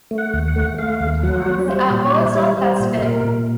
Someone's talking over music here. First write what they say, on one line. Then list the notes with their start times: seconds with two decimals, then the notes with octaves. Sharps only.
They are also clustered.
0.11 A3
0.18 F#5
0.34 D#2
0.48 F#5
0.56 A3
0.78 A3 F5
1.00 D#2
1.23 F#3 F#5
1.46 F#3
1.68 G3 C5
1.90 A#2
1.98 C#5
2.13 G3
2.19 C5
2.28 C#5
2.35 G3
2.57 G3 C5
2.80 A#2
2.97 A4
3.02 A#2 A#4
3.25 A#2